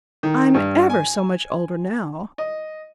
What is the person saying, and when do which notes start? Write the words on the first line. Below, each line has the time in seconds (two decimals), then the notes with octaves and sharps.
I'm ever so much older now....
0.23 D#3
0.54 G2
0.90 G#5
2.38 D#5